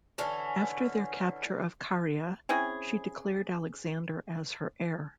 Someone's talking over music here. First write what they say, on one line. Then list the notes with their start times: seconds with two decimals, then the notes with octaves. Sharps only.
After their capture of Caria, she declared Alexander as her heir.
0.18 D3 E3 C#4
2.49 C4 C#4 E4 G#4